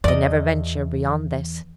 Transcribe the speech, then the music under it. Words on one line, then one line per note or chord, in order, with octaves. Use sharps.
They never venture beyond this.
E2 D5 D#5